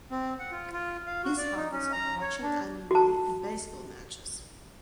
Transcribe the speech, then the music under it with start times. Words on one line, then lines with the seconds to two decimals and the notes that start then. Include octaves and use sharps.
His hobbies are watching anime and baseball matches.
0.11 C4
0.39 F#5
0.51 F4
0.72 F4
1.06 F5
1.24 F#4
1.38 D5
1.56 D#4
1.72 C#4
1.92 A#5
2.22 C#5
2.43 D4
2.91 F#4 A5